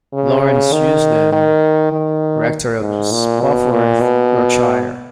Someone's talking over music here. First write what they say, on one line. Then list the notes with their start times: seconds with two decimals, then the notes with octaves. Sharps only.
Laurence Eusden, rector of Spofforth, Yorkshire.
0.14 C#3
0.73 D#3
1.33 D#3
1.93 D#3
2.81 G#2
3.12 A#2
3.41 B2
3.71 A#2
4.01 B2